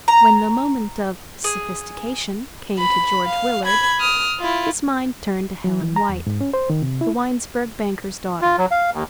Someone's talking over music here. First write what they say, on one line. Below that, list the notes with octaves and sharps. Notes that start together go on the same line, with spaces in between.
When the moment of sophistication came to George Willard his mind turned to Helen White, the Winesburg banker's daughter.
A#5
G#4
B5
F5
B5 G#6
D#6 F6
E4 F4
F#3
E3
A#5
E2
G#2
C#4
C5
D#3
C3
E4
F4
F#3
F5
D#2